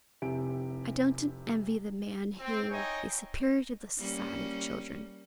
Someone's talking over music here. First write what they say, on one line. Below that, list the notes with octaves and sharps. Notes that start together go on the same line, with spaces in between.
I don't envy the man who is superior to the society of children.
F1 C3 E4 G4 G#5 D7
C4
D#4 E4 C#5 D#5 G5 G#5
G3 A#3 C#4